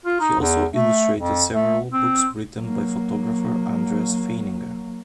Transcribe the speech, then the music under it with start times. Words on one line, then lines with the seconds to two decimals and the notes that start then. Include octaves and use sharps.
He also illustrated several books written by photographer Andreas Feininger.
0.06 F4
0.20 D#4
0.40 E2
0.73 A3
1.18 F2
1.52 A3
1.93 C4
2.59 F#3 A#3